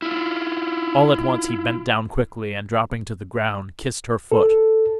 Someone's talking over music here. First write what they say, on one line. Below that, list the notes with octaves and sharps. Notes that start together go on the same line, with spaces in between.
All at once he bent down quickly and dropping to the ground, kissed her foot.
E4 F4
A4